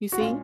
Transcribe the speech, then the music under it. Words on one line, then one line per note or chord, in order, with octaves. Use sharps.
you see?
F#4
A#2 G#3 C#4 F4